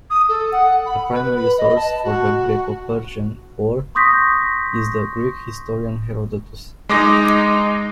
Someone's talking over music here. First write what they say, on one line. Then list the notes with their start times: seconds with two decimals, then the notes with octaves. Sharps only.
The primary source for the Greco-Persian Wars is the Greek historian Herodotus.
0.10 D#6
0.28 A4
0.51 F#5
0.85 B5
1.13 B4
1.35 B5
1.58 D#5
1.76 A5
2.03 F#4
3.95 C6 C#6 D#6 G6 A#6 B6
6.89 G#3 D#4 D6 A#6